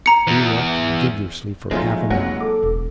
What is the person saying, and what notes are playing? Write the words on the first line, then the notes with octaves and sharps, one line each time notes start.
He walked vigorously for half an hour.
A#5 C#7
E2
F3 F#3 G#3 A3 B3 D#4 F4
F1 F#3 A#3 F#5
A4 D6
E1